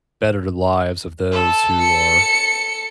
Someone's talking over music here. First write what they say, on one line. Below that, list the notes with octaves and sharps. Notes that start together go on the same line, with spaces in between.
better the lives of those who are
A4
C#7